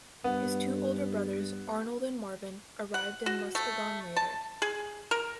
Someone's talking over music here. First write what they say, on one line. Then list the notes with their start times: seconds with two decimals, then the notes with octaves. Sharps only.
His two older brothers, Arnold and Marvin, arrived in Muskegon later.
0.24 G2 B3
2.94 F#5
3.26 F#4
3.55 A3
4.17 A5
4.62 G#4
5.11 A#4